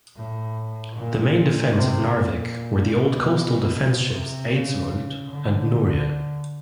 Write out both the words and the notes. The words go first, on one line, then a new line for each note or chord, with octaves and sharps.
The main defence of Narvik were the old coastal defence ships "Eidsvold" and "Norge".
A2
A#2
C3
A#2
B2
C3
C#3
D3